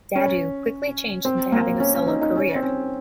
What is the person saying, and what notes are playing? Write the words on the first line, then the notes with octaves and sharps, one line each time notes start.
Dadoo quickly changed into having a solo career.
C#4
C4
A#3
C#4
C#4
D#4
D#4
C#4
C4
C#4